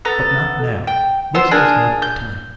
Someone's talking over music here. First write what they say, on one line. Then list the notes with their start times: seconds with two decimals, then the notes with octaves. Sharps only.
But not now, this is not the time.'
0.05 B3 A4 A#5
0.87 G5
1.34 B3 C5 C6 E6
1.51 D4 G#4 A#4 G#5
2.02 G6